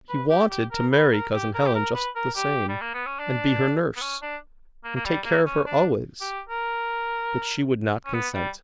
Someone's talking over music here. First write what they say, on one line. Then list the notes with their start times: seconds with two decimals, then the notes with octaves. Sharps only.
He wanted to marry Cousin Helen just the same, and be her nurse, and take care of her always; but she would not consent.
0.09 B4
0.30 G4
0.50 G4
0.71 A#4
0.92 B4
1.13 A#4
1.33 G4
1.54 A#4
1.66 G4
1.75 A#4
1.95 B4
2.16 A#4
2.36 G4
2.69 G3
2.81 A#3
2.94 B3
3.06 C#4
3.19 D4
3.96 B3
4.01 C#4
4.22 D4
4.84 A#3
4.96 A#3
5.05 G3
5.25 A#3
5.46 C#4
5.66 D4
6.21 G4
6.49 A#4
8.05 C#4
8.14 B3
8.34 G3